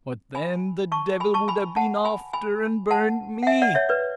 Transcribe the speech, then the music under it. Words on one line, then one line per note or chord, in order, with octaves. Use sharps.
But then the devil would a' been after and burned me!
G#5 B5
A5 C#6
G#5 B5
A5 C#6
G#5 B5
F#5 A5
G#5 B5
G#5 B5
F#5 A5
F#5
E5 G#5
D5 F#5
C#5 E5
B4 D5